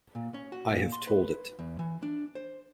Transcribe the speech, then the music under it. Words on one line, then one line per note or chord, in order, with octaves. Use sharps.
I have told it.
A#2
C#4
F#4
A#2
C6
B4
E2
E3
D4
C5